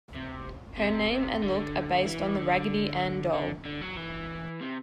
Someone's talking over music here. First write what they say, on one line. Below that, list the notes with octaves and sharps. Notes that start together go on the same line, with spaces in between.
Her name and look are based on the Raggedy Ann doll.
C3
C3
C3
D3
E3
D3
D3
D3
F#3
E3
C3